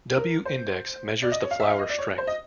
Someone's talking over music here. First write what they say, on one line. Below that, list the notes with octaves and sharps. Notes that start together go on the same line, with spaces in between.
W index measures the flour strength.
A#4
C5
D5
D#5
C#5
F5
E5
F5
D#5
D5
C#5
C5
D#5